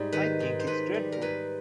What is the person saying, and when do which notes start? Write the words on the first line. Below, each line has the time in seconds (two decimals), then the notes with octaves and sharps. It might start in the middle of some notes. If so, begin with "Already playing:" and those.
I think it's dreadful.
Already playing: G#2 G3
0.12 D#3 B4
0.40 G#2
0.60 C5
0.67 G#2 B4
0.94 G3
1.12 A#4
1.21 G#2 B4